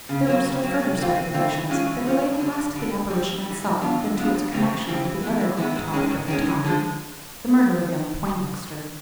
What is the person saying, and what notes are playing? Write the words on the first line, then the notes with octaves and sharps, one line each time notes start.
There were still further speculations, that related less to the apparition itself than to its connection with the other grand topic of the time--the murder of young Poindexter.
C#3
F#3 A#3
C#3
F#3 A#3
C3
E3 A3 C4 F4
C3
E3 A3 C4 F4
E3
G#3 C#4 F4
E3
G#3 C#4 F4
G2
D3 G3
G2
D3 G3
G2
E3 G3
G2
G3
E3
A2
F#3 B3 D4 F4
A2
F#3 B3 D4 F4
F2
C#3 E3 G3 C4
F2
C#3 E3 G3 C4
E3
G#3 B3 E4
E3
G#3 B3 E4
G#2
D#3 G#3 C#4
G#2
D#3 G#3 C#4
F#2
D3 F3 G#3